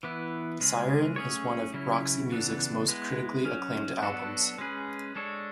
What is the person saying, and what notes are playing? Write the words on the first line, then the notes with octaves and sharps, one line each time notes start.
"Siren" is one of Roxy Music's most critically acclaimed albums.
E3 B3 E4
C#3 G#3 C#4 G#4
F#3 A3 C#4 G#4 C#5
C#3 F#3 C#4 E4
C#3 E3 B3 D4 A4
G#3 B3 E4
F#3 C#4 G#4
F#3 B3 D4 F#4 A4
G#3 C#4 G#4 B4
G#3 D4 A4 C#5